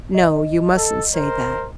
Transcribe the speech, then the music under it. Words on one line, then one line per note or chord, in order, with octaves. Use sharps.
No; you mustn't say that.
D#5
A4
A#4 C5